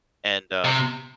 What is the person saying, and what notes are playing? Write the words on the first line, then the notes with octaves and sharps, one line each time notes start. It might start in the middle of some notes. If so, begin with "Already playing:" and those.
and, um
C3